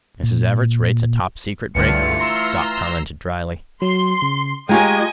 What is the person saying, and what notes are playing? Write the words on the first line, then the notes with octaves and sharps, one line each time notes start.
"Mrs. Everts rates a topsecret break?" Doc commented dryly.
A#2
C#2 G2 D3 E3 A3 F4 C#7
A#5 C6 E6
F#3 C6
C#3
G#3 F4 G4 D#5 G5 G#5 A#5 C#6